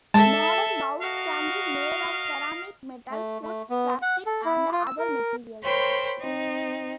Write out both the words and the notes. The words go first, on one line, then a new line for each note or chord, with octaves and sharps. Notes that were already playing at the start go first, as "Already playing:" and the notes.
Modern bowls can be made of ceramic, metal, wood, plastic, and other materials.
G#3 A4 E5 A5
F#4 A#4 D#5 F5
A3
A3
B3
F#5
A4
E4
F4
E6
A#4
A#4 C5 C#5 G5 B5 C6
C4 D#4